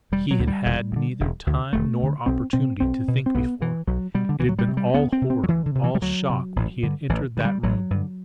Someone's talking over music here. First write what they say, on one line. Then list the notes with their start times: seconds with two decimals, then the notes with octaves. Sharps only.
He had had neither time nor opportunity to think before; it had been all horror, all shock when he had entered that room.
0.12 E1 G3
0.31 F#3
0.39 D2 D3
0.47 G3
0.65 E1
0.92 D2
0.96 D3
1.20 E1
1.47 D2 D3
1.73 E1 A3
2.00 D2 D3
2.26 B1 C4
2.53 B2 C4
2.80 B1 C4
3.08 B2
3.26 C4
3.35 B1 B3
3.61 B2 E3
3.87 B1 F#3
4.14 B2 G3
4.29 D3
4.40 D2 E3
4.49 F#3
4.59 G3
4.68 C3
4.77 G3
4.94 D2 B3
5.13 C4
5.21 C3
5.30 C4
5.44 F#3
5.48 D2 E3
5.66 D3
5.75 C3
5.84 E3
5.95 G3
6.02 D2 F#3
6.30 C3
6.56 A1
6.83 G2 D3
7.09 A1 E3
7.37 G2 D3
7.45 G3
7.63 A1 F#3
7.90 G2 D3